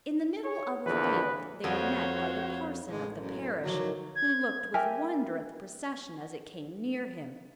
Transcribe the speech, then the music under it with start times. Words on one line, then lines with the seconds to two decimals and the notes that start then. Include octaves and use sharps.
In the middle of a field they were met by the parson of the parish, who looked with wonder at the procession as it came near him.
0.44 C#5
0.86 A#1 E2 D3 B4
1.64 A#1 F2 D3 F#4 C5 C#5
2.88 A1 G#3
3.17 F#2
3.63 D3 D#3 F3 F#3
4.15 G#6
4.74 G4 A#4 E5 G#5